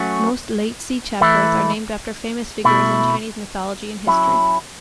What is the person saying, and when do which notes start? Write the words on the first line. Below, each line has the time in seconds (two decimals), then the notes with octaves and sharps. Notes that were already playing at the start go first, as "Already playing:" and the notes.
Most "Liezi" chapters are named after famous figures in Chinese mythology and history.
Already playing: F#3 A3 C#4 F#4
1.21 E3 A3 E4
2.64 B2 A3 E4
4.07 F#3 C#4 E4